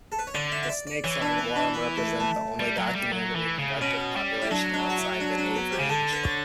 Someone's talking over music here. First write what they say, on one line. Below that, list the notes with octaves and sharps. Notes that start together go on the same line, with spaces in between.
The snakes on Guam represent the only documented reproductive population outside the native range.
A4
B4
C#5
D3 D5
E5
E5
D5
D5
E3 C#5
D4
B3
D4
B3
A3
A3
G3
F#3
G3
F#3
E3
C#3
B2 C#4
G3
E4
F#3 D4
D4
F#4
E4
D4
D4
B3
G4
C#3
D3 A4
B4
C#5